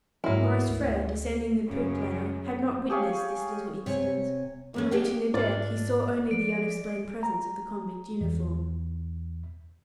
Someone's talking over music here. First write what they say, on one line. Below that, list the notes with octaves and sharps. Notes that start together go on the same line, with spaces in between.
Maurice Frere, descending the poop ladder, had not witnessed this little incident; on reaching the deck, he saw only the unexplained presence of the convict uniform.
G#2 F#3 A#3 E4
D2
F#2 C#3
G4 G#4 C#5 F5
C3 C#5 G#5
E2 A3 C#4
A#3 D4 G4 G#4 F5 G5
G#2 D4 F4 D5
F3 D7
A#5
E2